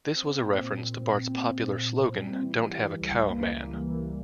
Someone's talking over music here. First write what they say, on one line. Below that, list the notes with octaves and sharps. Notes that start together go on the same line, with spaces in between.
This was a reference to Bart's popular slogan Don't have a cow, man!
C4
A#2
A#2
C4
C4
A#2
A#2
G3
E3
E3
C#2
A#3
C#2
E3